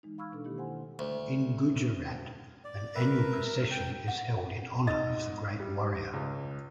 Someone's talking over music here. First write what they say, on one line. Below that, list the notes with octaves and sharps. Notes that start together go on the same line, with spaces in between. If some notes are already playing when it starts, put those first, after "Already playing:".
In Gujarat, an annual procession is held in honor of the great warrior.
E3 G#3 D#4
F5 B5 C#6 E6 F6 G#6
B2 D4 A4
D#3 A#3 E4 G4
C5 F#5 G#5 C6
D2
D5
A#4 B4 E5
G5
F#5
G#2 D#5 A6
G3
C#2